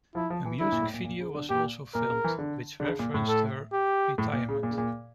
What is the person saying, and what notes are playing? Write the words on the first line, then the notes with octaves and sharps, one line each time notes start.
A music video was also filmed which referenced her retirement.
F3 E4
F3
E3
D3 E4
A#2
A2
A#2
A#2
C#3
D3
A#2 G4
A#2 A#4
C#3
E3
D3
D3
C#3
A#2
A2
A4
G4
A2
A#2
C#3
A#2
C#3
A#2